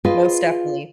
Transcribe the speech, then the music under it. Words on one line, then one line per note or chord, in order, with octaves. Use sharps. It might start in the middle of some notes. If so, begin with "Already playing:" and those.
Most definitely.
F4 G#4 B4 D#5 F5